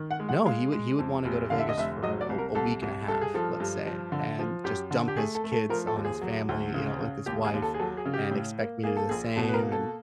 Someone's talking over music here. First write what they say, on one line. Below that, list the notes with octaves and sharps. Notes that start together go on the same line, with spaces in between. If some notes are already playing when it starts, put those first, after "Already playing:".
no, he would he would wanna go to Vegas for a a week and a half, let's say, and just dump his kids on his family, you know, with his wife and expect me to do the same, and,
Already playing: D#3
F#5
G#3
F#5
G#3 F5
G#3
F2
F1
D3 F5
E5
D#5
F1 E5
F#3 D#5
D5
C2
A#4
C2 A4
C2
G2 A4
G#4
F3 A4
G2
F3
D3
F3
F#2 G4
D3
G4
A3 G#4
A4
A3
A4
F3 A#4
A4
D#2
G#4
F#3
D2
C#3
C#3
D#2 G4
G#4
D#2
A4
G#4
F#3 A4
G#4
C#3
G4
A2
A#3
A#3 G#4
A4
A#1 G#4
B2 A4
B4
A#4
A#3
A4